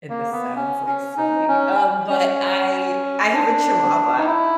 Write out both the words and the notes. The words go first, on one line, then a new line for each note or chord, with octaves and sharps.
and this sounds, like, silly, um, but I I have a chihuahua,
A#3
B3
C#4
C#4
D#4
C#4
C#4
D4
D#4
E4